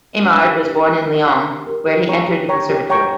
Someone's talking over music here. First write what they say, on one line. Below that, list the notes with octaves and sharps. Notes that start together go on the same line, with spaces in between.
Aimard was born in Lyon, where he entered the conservatory.
D4
G4 A#4
D4
G4 A#4
D4
G4 A#4
D4
G4 A#4
G4
C#5 G5 A#5 C#6
G4
C#5 G5 A#5 C#6
G4
C#5 G5 A#5 C#6